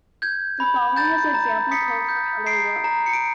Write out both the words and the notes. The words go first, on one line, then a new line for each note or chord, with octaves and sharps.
The following is example code for Hello World!
G6 G#6
B5
A#5 G6 A6
A#5
D#6 B6 C#7
G6
A#5 C7 D7
A#5
C#7
D7